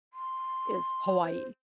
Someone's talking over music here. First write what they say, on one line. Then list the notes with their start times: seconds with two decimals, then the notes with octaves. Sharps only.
is Hawaii,
0.14 C6
1.22 C5